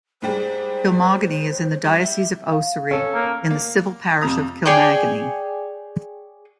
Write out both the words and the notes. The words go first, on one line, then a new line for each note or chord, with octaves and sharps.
Kilmoganny is in the Diocese of Ossory, in the civil parish of Kilmaganny.
G#2 G3 G#3 C5
G3 E5
F5
C#4 A4
A#3
A#3
F2 C3 A#5 D#6
G#4 C#5 D5 G5